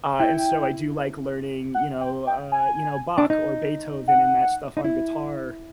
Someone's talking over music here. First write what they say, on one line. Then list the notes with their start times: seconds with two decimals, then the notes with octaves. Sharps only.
Uh, and so, I do like learning, you know, uh, you know, Bach or Beethoven and that stuff on guitar.
0.19 E4 G5
1.74 F#5
2.01 G5
2.27 G5
2.52 G#5
3.18 D4
3.30 D#4
4.08 F#5
4.77 D#4
4.84 E4